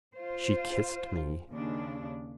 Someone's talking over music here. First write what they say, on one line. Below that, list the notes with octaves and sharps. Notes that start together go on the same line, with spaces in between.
She kissed me.
F4 C5
D#2 C#3 D4